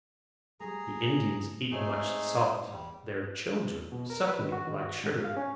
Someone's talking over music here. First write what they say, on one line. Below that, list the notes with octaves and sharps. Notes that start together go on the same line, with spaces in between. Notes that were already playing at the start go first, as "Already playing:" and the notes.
The Indians eat much salt, their children sucking it like sugar.
G3 A3 G#4 A#5
G#2 A3 C4 D#4 G#4 C#5
E2 G3
B2
A#4
B4
D#3
F#4
D#3
F#4
G#2
F5
C#4